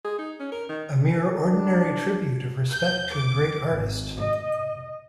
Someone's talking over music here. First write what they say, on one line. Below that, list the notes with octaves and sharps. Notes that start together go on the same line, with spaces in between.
A mere ordinary tribute of respect to a great artist.
G#4
D#4
C#4
A#4
D#3
D4
G6
D6
G#1
D#5